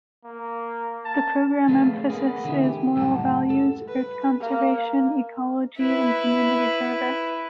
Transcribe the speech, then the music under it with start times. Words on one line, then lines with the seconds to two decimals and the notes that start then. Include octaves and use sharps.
The program emphasis is moral values, earth conservation, ecology and community service.
0.24 A#3
1.05 A5
1.68 F3 A3 G#4 B4 C#5 F5
2.10 A#3 B3 G#4
2.44 D3 E3 A3 D#4 E4 G#4
2.63 G4
2.96 C#2 F#2 A2 G3 F#5 A5
3.50 A4
3.88 B4
4.41 A#3
5.78 E4 B4